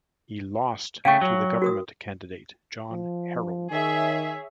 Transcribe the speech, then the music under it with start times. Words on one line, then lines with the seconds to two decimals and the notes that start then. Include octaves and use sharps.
He lost to the Government candidate, John Harold.
1.05 C#3 A3 F5 G5 C#6
1.21 F#3
1.62 F#4 A#4 D#6
2.91 F3
3.71 D#3 G#4 C#5 E5